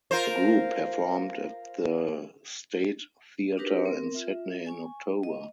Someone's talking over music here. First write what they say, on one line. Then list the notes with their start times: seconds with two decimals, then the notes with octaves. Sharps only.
The group performed at the State Theatre in Sydney in October.
0.11 F4 A#4 C5
3.57 D4 D#4 F#4 G4 A#4 B4
3.86 C4 A#4
4.14 F4 E5
4.66 G#5 C#6
5.23 D#5